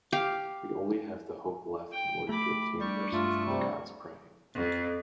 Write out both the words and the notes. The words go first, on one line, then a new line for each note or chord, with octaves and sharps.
We only have the hope left in order to obtain mercy from the gods praying.
G4 F5
G5
A3 B5 D6
G3 D4 C#6
G2 A3 F4
C3 G3
F2